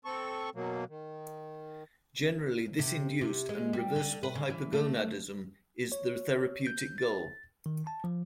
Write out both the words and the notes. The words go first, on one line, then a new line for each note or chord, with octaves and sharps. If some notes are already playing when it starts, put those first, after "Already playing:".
Generally this induced and reversible hypogonadism is the therapeutic goal.
C4 A4 C#6
B2 F#3 A#3
D#3
C3
C3
G#3
G3
D3
B4
C#3
E3
A3
C#5
G6
A6
D#3
A5
F3